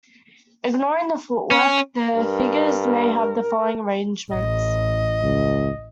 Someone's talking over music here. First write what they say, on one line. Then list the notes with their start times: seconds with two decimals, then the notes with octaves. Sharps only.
Ignoring the footwork, the figures may have the following arrangements.
1.51 C#4
2.15 G2 A#4
4.31 A1 D#5
5.23 C#2